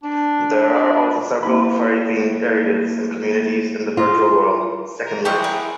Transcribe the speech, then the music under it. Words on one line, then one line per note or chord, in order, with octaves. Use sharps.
There are also several furry-themed areas and communities in the virtual world "Second Life".
D4
A#3 E4 B5
F4
A#4
E4 G4 G#4 F#5 C6 C#6
A#4